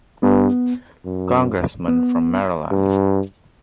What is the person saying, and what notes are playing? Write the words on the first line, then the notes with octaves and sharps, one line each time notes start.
Congressman from Maryland.
G2 B3
F#2
B3
G2